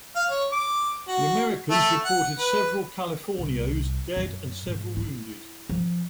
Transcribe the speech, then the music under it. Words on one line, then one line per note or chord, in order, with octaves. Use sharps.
The Americans reported several Californios dead and several wounded.
F5
C#5
D6
F#4
A3
F#5
B4
C2
F#2
G#2
E4
F3